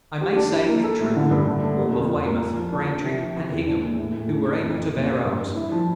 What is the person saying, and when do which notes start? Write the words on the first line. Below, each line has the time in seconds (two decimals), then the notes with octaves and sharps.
I may say with truth, all of Weymouth, Braintree, and Hingham, who were able to bear arms....
0.21 G4
0.36 D4
0.52 E4
0.69 A#3
0.84 A4
1.00 A2
1.16 D3
1.31 G2
1.47 D3
1.63 A3
1.79 A#3
1.94 F2
2.09 F4
2.26 A#3
2.42 A#2
2.58 F3
2.72 D4
2.89 D4
3.04 C3
3.20 F3
3.36 E3
3.52 E2
3.67 D4
3.83 A#2
3.99 A2
4.14 A2
4.30 A3
4.46 A3
4.62 F2
4.77 F2
4.94 A#2
5.08 A#3
5.25 G2
5.41 G2
5.56 E4
5.72 F3